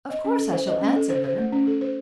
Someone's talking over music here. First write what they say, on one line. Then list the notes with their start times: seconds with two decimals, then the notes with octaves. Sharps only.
"Of course I shall answer her."
0.10 D#5
0.25 C#4
0.38 A4
0.53 C5
0.67 D#5
0.81 C#4
0.96 A4
1.10 C5
1.24 C5
1.38 A3
1.52 C#4
1.67 A4
1.81 C5